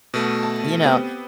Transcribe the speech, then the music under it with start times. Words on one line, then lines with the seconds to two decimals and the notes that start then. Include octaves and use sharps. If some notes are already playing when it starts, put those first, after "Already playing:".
you know,
0.14 B2 A3
0.43 A5
0.85 B3 C4 G4